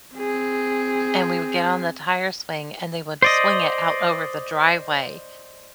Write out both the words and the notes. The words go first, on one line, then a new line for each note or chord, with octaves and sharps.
and we would get on the tire swing, and they would swing it out over the driveway.
C4 G#4
C5 D5 D#5